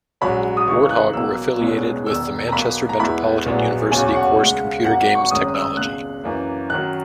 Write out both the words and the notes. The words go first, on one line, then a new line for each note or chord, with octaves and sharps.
Warthog were affiliated with the Manchester Metropolitan University course Computer Games Technology.
A#1 G#2 F#3 C#4 B5
D#6
C#2 C#3 E3 G#3 D#4 C#6
F#6
B1 B2 F#3 A#3 E6
E1 E2 B2 G#3 C#4
E1 E2 D#3 E6
A#5
B1 B2 A#3 B5
A#5
E2 B2 G#3 B3 E4 B5
A#1 A#2 F#3 B3
E1 D#2 C#3 F#3 C#4 G#5
F#5
C#2 C#3 G#3
G#1 G#2 F#3 A#3 F#5
F#5
C#6
G#1 F#2 D#3 G#3 C#4 D#6
E6
C#2 B2 G#3 F#6
F#2 E3 A#3
F#2 D#3 F#3 F#6